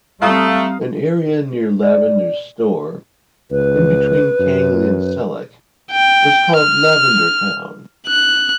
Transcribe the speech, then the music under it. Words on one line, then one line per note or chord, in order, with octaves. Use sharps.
An area near Lavender's store, in between Kangley and Selleck, was called Lavender Town.
G3 A3 C4 F5 A#5 D#6
D5
C#2 B4
F#2
G5
F6
F#6